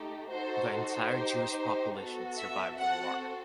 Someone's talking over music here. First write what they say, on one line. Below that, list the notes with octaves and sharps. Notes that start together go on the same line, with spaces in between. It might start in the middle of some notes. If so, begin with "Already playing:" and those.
The entire Jewish population survived the war.
Already playing: A3 D#4 G4
D#4 F#4 A4 C5
C5
D#4 G4
B3 F#4 A4
E5
C4 F#4 A4 F#5